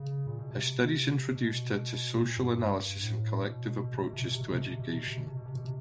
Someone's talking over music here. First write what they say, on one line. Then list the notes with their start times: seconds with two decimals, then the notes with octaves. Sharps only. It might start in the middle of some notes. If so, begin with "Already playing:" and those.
Her studies introduced her to social analysis and collective approaches to education.
Already playing: C#3
0.27 A#2
0.39 B2
0.51 C3
1.34 B2
2.17 A#2
2.37 F#2
2.45 G2
2.73 G2
3.01 A2
3.43 B2
3.84 B2
3.94 C3
4.03 B2
4.13 C3
4.22 B2
4.32 C3
4.41 B2
4.51 C3
4.60 B2
4.70 C3
4.79 B2
4.89 C3
4.98 B2
5.08 C3
5.18 B2
5.27 C3
5.37 B2
5.46 C3
5.55 B2
5.65 C3